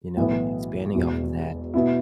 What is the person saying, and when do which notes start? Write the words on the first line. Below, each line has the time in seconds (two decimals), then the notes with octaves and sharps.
you know, expanding off of that,
0.17 B1 A2 E3 B3 E4
0.95 E1 E2 B2
1.74 B2 B3 E4